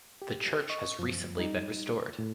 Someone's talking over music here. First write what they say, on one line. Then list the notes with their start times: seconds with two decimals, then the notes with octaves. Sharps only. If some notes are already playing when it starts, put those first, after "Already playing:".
The church has recently been restored.
0.22 G4
0.70 D#5 C#6
0.99 F#2 F3
1.37 G3 D#4
2.19 A2